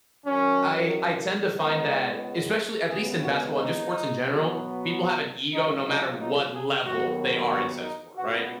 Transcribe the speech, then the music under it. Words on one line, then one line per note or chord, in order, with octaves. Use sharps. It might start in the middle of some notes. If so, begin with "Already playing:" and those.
I I tend to find that especially at least in basketball and just sports in general, people have an ego no matter what level they are in said sport, right?
F#2 D#3 F#3 C#4
C#2 C#3 G#3 B3 D#4
D#2 C#3 G#3 B3 G#4
F#4
D#4
B2 F#3 B3
C#2 C#3 F#3 D#4
D#4
D#4
G#4
D#2 D#3 F#3 B3 F#4
F#4
D#4
C#2 B2 B3 F#4